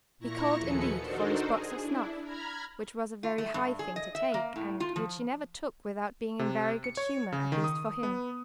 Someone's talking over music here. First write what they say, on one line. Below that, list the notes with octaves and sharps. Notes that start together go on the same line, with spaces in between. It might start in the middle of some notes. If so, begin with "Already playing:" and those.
He called indeed for his box of snuff, which was a very high thing to take; and which he never took without being in very good humour, at least for him.
A#2 E4 A#5 C#6 A#6 C#7
D#2 F3 G#4 A4 B4 C#7
D4 D#4 F#4 A4 A#4 C5
G#4
D4 E4
A#5 B5 F6 G#6
F4
A3
G2
G#4
D#5
E5
A#3
A2
F4
F3
C3
C#7
C#5
C#3
D#3
D#6
B3